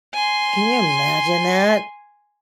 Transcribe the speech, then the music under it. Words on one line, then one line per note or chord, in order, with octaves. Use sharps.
Can you imagine that?
G#5 C6